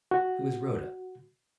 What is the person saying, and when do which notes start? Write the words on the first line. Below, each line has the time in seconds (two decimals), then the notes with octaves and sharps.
"Who is Rhoda?"
0.11 F#4